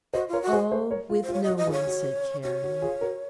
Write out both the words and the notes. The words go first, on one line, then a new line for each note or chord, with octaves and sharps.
"Oh, with no one," said Carrie.
F#4 C5 D#5
F4
A#4 C#5
F#4
G#4 C5
G#4 C5
A#4 C#5
F4
C5
F4
C#5
F#4 D#5
D#5
F4 G#4
C#5
F#4
F#4 C#5
F#4
F4 G#4
F#4 A#4